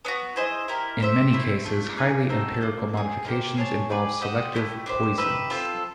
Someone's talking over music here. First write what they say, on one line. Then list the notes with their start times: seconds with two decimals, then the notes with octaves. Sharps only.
In many cases, highly empirical modifications involve selective "poisons".
0.05 B3 D4 F#4
0.36 E4 G#4 C5 D#5
0.68 E4 G4 A#4
1.00 G4 C5 E5
1.33 A3 C4 E4
1.64 A3 D4 F4
1.96 A#3 D#4 G#4 B4
2.29 C4 D#4 F#4 A4
2.61 A#3 D4 F4
2.94 C4 D#4 G#4
3.25 A#3 D#4 G4 C5
3.57 G#4 C#5 F#5 A5
3.90 G#4 B4 D5 G5
4.21 G4 C5 D#5 F#5
4.54 A3 C#4 E4 G4
4.86 D4 G4 C5
5.18 D#4 G4 B4 E5
5.50 C4 F4 A4